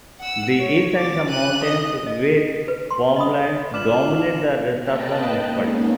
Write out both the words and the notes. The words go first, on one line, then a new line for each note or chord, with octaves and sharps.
The hills and some mountains with farmlands dominate the rest of the municipality.
F#5 E6
C#5
D6 A6
F#6 D#7
D#5
D#5
B4
C6
D#5 B5 D#6
D4 F4 B4 D6 F6 E7 F#7
A#3 B4 D#5 G5 A5 F#6
G#3 A#3 B3 C#4 D#4